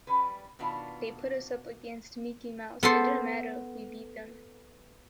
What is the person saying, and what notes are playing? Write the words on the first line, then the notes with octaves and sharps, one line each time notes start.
They put us up against Mickey Mouse, it didn't matter, we beat them.
G3 C#4 B4
B2 D#3 B3 D4 F4 A5
B3 A4 C5